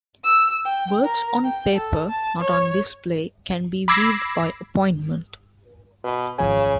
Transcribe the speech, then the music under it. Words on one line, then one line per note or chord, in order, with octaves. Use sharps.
Works on paper not on display can be viewed by appointment.
E6
G5
A#4
G5
A4
A5
C#5
B5 D6 E6 G#6 A#6 C7
B2
G#1 C#3 F3 G#5